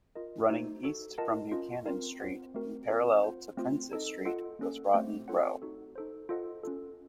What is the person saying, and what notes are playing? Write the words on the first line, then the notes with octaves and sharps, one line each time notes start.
Running east from Buchanan Street and parallel to Prince's Street was Rotten Row.
F4 A#4 D#5
A3 D#4 F#4 C5
D#4 F#4 A4
F4 A#4 D#5 F#5 A5
C#4 F4 A#4 D#5
C4 F4 A#4
C4 F4 C5 F#5
A3 C4 F#4 A#4
C4 F4 A#4
F4 C5 F#5
A3 C4 F4 C5
D#4 A4 D#5
F4 A4 D#5 F#5
A#3 C#4 A4
A3 C4 F#4 C5 F#5
C4 F4 A4 C#5 F#5
D#4 F#4 A4
D#4 A4 C5
F4 A4 C5 D#5 F#5
C#4 F4 A4